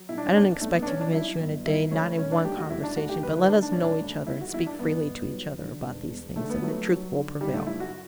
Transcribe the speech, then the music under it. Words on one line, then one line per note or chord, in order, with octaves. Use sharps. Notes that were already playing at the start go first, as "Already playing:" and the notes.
I don't expect to convince you in a day,--not in one conversation; but let us know each other, and speak freely to each other about these things, and the truth will prevail.
Already playing: F#3
B1 E4
D4
C#4
B1 D4
B2 A3
B3
D4
B1 C#4
D4
F#3 E4
G1
E3 E4
D2 C#4
E1 C#4
D4
D2 G4
F#4
E1 E4
D4
D2 F#4
G4
D3 B4
E4
D2 D4
D4
E1 C#4
D4
D2
E2 E4
F#4
E2 E4
D4
G1 B3
G1
F#3
D3
E1
E2
D3 A3
B3
F#3 A3
F#3
D3
C#3 G3
A3
F#2 E4
F#4